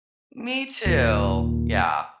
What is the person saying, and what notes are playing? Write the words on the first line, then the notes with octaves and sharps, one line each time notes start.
Me too, yeah.
D#2 A#2